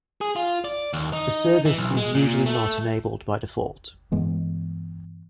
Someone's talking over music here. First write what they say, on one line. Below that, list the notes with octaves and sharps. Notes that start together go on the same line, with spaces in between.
The service is usually not enabled by default.
G#4
F4
D5
D#2
D#4
E3
B1
G#3
A#2
A3
G2 E3 G#3 B3